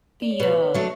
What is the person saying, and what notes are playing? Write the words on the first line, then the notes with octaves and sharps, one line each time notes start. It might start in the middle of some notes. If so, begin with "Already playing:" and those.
the, uh,
D5
C#5
B2 B4
C#5
F#3 A3 D4